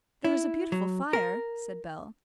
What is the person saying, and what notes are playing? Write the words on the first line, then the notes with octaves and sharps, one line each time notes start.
"There's a beautiful fire," said Bell.
E4
F#3
A#4